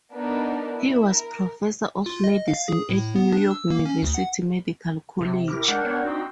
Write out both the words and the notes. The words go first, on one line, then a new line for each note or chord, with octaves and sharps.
He was Professor of Medicine at New York University Medical College.
B3 D4 D#4 A#4 B4
E4
A#4
F4
D#5
F5
G#4
A2
B3
D4
E6
A#3
C#4
D2
F#5
C3
E4 G4 A#4
G#3 D4 A#4 F#5 G5
B3 D4 C#5
C4 D#4 F#4